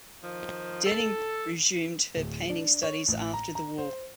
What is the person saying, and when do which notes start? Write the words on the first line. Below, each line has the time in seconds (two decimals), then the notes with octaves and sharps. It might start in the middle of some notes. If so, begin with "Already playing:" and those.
Denning resumed her painting studies after the war.
0.22 D#3 F3
0.86 A4
2.16 D1
2.50 D4
2.83 C#5
3.08 A1
3.34 A#5
3.55 A#5
3.78 C5